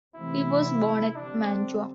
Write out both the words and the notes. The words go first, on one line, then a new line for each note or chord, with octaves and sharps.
He was born at Mantua.
C3 E3 A3 C4 E4
D3 G3 C4 D4